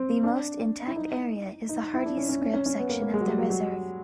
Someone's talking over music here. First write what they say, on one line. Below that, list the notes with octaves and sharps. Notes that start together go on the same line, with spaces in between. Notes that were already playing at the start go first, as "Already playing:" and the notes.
The most intact area is the Hardy's Scrub section of the reserve.
Already playing: C4
D4
E4
D#4
D#4
D#4
E4
D4
C#4
C#4
C#4
C#4
C#4
B3
A#3
A#3
G#3
F#3
G3
F#3
F#3